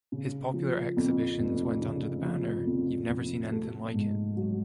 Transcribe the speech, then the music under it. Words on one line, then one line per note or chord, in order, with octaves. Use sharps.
His popular exhibitions went under the banner You've never seen anything like it!
C#3
F3
F2
F1
C#3
F3
F2
F1
A3
G#2
F#3